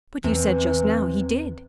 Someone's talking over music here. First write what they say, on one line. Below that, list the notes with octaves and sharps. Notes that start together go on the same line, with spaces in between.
"But you said just now he did."
E2 C3 E3